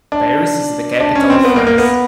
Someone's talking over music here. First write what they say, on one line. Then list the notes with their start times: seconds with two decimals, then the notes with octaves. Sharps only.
Paris is the capital of France.
0.12 D4
1.00 D4
1.15 C#4
1.30 C4
1.45 B3
1.56 A#3
1.67 A#3
1.78 B3